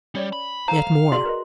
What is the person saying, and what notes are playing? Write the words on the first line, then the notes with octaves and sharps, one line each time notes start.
Yet more.
G3 C#4 C#5 D5
B5
A4 C5 F5 A#5
F#4 G#4 D5 C6
A#4 B4 D#5